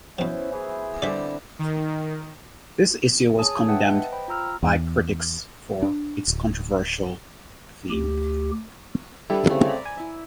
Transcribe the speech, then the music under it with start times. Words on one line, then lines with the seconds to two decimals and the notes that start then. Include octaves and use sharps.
The issue was condemned by critics for its controversial theme.
0.19 B2 F3 B3 C#4 E4 C5
0.52 E3 F#3 G#4
1.02 D3 G3 C4 D5 E5
1.59 D#3
3.39 G#4 C#5 G#5 A5 D#6
3.68 B4 E5 F#5 G5 A5
3.86 B4 D#5
4.12 C5 G5 B5
4.28 F4 A#5 E6 F6
4.63 E2
5.82 D4
6.28 D1
7.90 D2 G4
9.30 D3 G3 E4 A4 B4
9.50 C#3 A3 C4
9.65 D5 A#5 B5
9.85 G#5
9.97 E4 E5